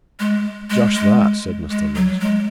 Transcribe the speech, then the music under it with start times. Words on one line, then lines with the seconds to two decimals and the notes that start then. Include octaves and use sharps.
"Just that," said Mr. Lindsey.
0.20 G#3
0.70 G#3
0.95 G#3
1.71 G#3
1.96 F#3
2.21 G#3